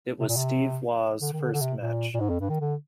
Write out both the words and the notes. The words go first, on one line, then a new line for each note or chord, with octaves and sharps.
It was Steve Waugh's first match.
C3
A#2
C3
D3
D#3
D3
D3
C3
A#2
A#2
G#2
F2
G2
D#3
D3